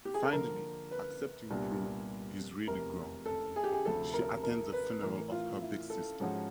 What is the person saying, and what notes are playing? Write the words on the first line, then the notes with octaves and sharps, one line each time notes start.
Finally accepting Prue is really gone, she attends the funeral of her big sister.
G4
G#4
A4
D3 F3 A#3 A#4
B4
C2 A#2 G3 B3 D4
F1 E2 C3 F3 A#4
A4
G#4
G4
G#4
D2 C3 F3 A4
A#4
A#4
B4
A2 E3 A3 A#4
F4
E4
A4
G#2 F3 G#3 C#4 F#4